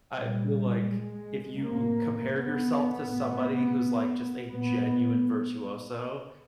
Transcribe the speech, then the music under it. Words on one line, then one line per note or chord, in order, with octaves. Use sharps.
I feel like if you compare yourself to somebody who's, like, just a genuine virtuoso
A#2 G3
G#3
A2 A#3
B3
A2
A#2 B3